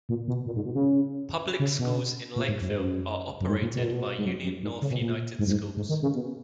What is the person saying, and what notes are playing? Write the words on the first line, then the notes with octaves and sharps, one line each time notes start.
Public schools in Lakeville are operated by Union-North United Schools.
A#2
B2
A#2
G#2
B2
C#3
C#3
B2
A#2
G#2
F#2
G#2
F#2
F#2
G#2
A#2
B2
A#2
B2
G#2
F#2
F#2
G#2
C#3
B2
A#2
G#2
F#2
G#2
G#2
D#3
C#3
B2